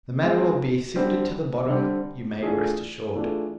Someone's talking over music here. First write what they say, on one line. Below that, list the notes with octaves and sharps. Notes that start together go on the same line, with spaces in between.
The matter will be sifted to the bottom, you may rest assured.
G#3 C4 F4
D3 G3 C4
D3 G3 C4
E3 A3 D4 F4 G#4
E3 A3 D4 F4 G#4